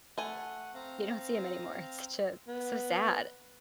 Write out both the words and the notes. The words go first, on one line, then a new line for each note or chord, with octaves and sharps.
You don't see 'em anymore. It's ju so sad.
A3 F#5 G#5
C4 F5 A#5
B3